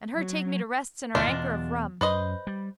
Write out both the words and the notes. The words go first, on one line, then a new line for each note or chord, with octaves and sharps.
And her take me to rests and her anker of rum.
F#3
D2 B2 E3 G#3 D4 F4
E2 B2
F#2 B4 C5 D#5
G3